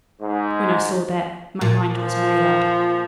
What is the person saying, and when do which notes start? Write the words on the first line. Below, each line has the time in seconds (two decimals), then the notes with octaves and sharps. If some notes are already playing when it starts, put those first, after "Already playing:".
When I saw that, my mind was made up.
0.21 G#2
1.61 A#2
2.00 F3